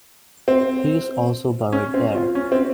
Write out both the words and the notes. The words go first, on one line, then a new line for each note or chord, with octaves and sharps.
He is also buried there.
C4
C#4
C4
F4
C#4
C4